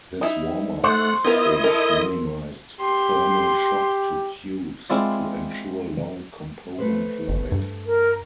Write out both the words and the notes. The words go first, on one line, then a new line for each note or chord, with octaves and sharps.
This warm-up stage minimized thermal shock to tubes to ensure long component life.
D#4 E4
A3 C5 F#5
B3 E4 F4 A#4 D#5 D#6
A4 A#4
G4 C6
G#3 C4 E4 F4 D5
A3 B4 C5
G1
G2
A#4